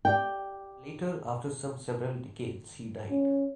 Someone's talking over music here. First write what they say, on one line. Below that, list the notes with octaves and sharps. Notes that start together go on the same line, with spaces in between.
Later, after some several decades, he died.
G4 D5 G5
C#4